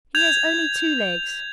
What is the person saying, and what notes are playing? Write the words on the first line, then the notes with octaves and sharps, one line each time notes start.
He has only two legs!
G6 G#6 F7